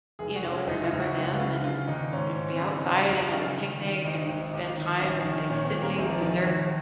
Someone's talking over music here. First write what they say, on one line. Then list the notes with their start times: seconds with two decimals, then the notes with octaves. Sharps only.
you know, and remember them and, eh be outside and have a picnic and spend time with my siblings and their
0.19 F1 G#4
0.36 F#4
0.44 F1
0.51 C#4
0.67 F#1 D#4
0.83 F4
0.92 F#1
1.00 F#4
1.16 C#2 F#4
1.40 C#3 F4
1.64 C#3 F4
1.88 D#2 D#4
2.13 G#2 C#4
2.36 G#2
2.52 C4
2.60 C#3 C#4
2.76 D#4
2.85 C#3
2.93 F4
3.08 F#1 F#4
3.32 C#3 F4
3.57 D#3
3.80 D#3
4.05 G#1 D#4
4.29 G#1
4.54 D#2
4.77 D#3
5.01 A#1 C#4
5.25 D#3
5.49 A#2 C#4
5.65 C4
5.73 A#2
5.82 A#3
5.97 A#1 G#3
6.10 F3
6.21 D#3 F3
6.33 F3
6.45 D#2